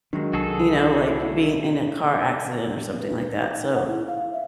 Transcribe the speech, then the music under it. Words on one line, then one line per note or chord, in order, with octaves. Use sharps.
you know, like being in a car accident or something like that. So,
D#3 F#3 G#3 D4
C2 F#4 G#4 A4
E4
B4
B4
D#4
F#5
E4
F5
E5